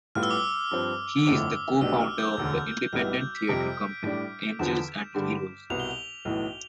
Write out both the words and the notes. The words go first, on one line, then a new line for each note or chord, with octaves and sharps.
He is the co-founder of the independent theatre company, Angels and Heroes.
A2 G3 B3 F4 B4 F6
E6
D6
E6
G2 F3 C4
G1 F2 D3 A3 E4 D6
B1 B2 A3 D4 G4 E6
F6
G6
E1 D2 D3 E6
B1 A2 G3 B3 E4 F6
G6
B6
F2 C3 G3 D7
A2 G3 D4
E2 D3 F3 E7
G2 D3 G3
C2 B2 B3 F7
G7
F7
B1 A2 E3